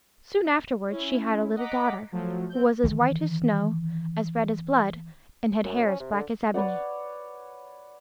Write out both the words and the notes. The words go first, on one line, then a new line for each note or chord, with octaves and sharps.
Soon afterwards she had a little daughter, who was as white as snow, as red as blood, and had hair as black as ebony.
C#4 E4
D#5 F#5 A#5 D6 B6
F3 F#3 A3
C4 G6
D#3 E3
F#2
C#4
C3
D3
B4 C#5 D5 F#5